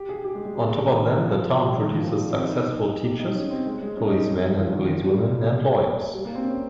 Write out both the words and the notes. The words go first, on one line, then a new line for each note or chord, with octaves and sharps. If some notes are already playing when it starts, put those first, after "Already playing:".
On top of that, the town produces successful teachers, policemen and policewomen, and lawyers.
Already playing: G4
G#4
G4
G#3
G#3
G3
D#3
D#3
F3
G3
G#3
G3
D#3
F3
G3
C4
D#4
G4
D#4
C#4
C4
G#3
G#3
C#4
D#4
C#4
C4
G3
F3
D#3
F3
G3
G#3
A#3
G3
A#3
C4
C#4